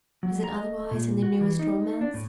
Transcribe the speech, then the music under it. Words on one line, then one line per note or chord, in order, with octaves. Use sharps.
Is it otherwise in the newest romance?
F#3
A#5
D#5
A#2
F#4
E3
D#4
D4
A2